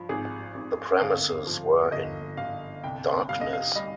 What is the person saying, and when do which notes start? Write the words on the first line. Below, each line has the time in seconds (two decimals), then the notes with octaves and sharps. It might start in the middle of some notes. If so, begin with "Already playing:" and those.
The premises were in darkness.
Already playing: G2 F3
0.09 G#1 G#4
0.55 G#1
1.01 G1 F5
1.47 F3
1.92 G1 D#5
2.37 G1 F5
2.83 C2 G5
3.29 G3 F5
3.41 D#5
3.53 F5
3.76 G3 D#5